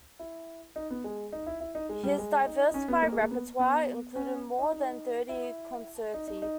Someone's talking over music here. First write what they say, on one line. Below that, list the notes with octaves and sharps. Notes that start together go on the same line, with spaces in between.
His diversified repertoire included more than thirty concerti.
E4
D#4
B3
G#3
D#4
E4
E4
D#4
G#3
G3
G#3
D#4
D#4
C#4
B3
A#3
G#3
A#3
B3
B3
C#4
D#4
D#4
E4
D#4
D#4
D#4